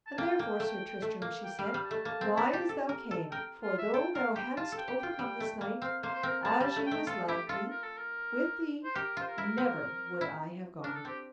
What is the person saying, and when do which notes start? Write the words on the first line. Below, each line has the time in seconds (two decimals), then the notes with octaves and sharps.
And therefore, Sir Tristram, she said, ride as thou came, for though thou haddest overcome this knight, as ye was likely, with thee never would I have gone.
0.07 A5
0.18 A#3 G5
0.39 A#3
0.60 A3
1.02 A3
1.22 A#3
1.43 G5
1.59 G3 G5
1.64 F5
1.74 G3
1.85 A5
1.91 A3
2.05 A#3
2.21 C4
2.37 E4
2.53 G4
2.69 A4
2.89 A#4
3.11 A4
3.31 A#4 G5
3.63 F4
3.78 E5
3.94 A4 G5
4.14 A#4 F5
4.36 G4 G5
4.56 F4 A5
4.72 A4
4.78 G5
4.88 G4
4.98 G5
5.03 F4
5.19 G3
5.40 A3
5.61 A#3
5.82 C4 F5
6.03 A#3 C5
6.14 C5
6.23 C4 A#4
6.44 A#3 A5
6.60 G3 A5
6.76 A3
6.86 G5
6.91 A3
7.07 F4 A4
7.28 E4 G4
7.49 F4 A4
7.70 A#4
7.83 A4
7.97 A#4
8.84 C5
8.95 G4 A#4
9.17 F4 C5
9.27 A#4
9.38 E4
9.58 C4
10.21 E4
10.83 D4 A#4
10.95 A4
11.05 C4 G4